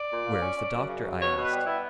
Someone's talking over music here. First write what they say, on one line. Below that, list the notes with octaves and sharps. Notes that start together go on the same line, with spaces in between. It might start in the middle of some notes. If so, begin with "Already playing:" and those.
"Where is the Doctor?" I asked.
Already playing: D5
A#2
A#3
C#4
C#4
F#2
C#3
F#3
B2 C#5
B2
B4
G3
B3 E4